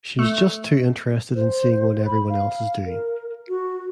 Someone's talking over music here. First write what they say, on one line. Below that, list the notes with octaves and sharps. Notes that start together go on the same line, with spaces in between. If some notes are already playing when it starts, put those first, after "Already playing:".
She's just too interested in seeing what everyone else is doing.
A3
C5
B5
F5
A#4
F#4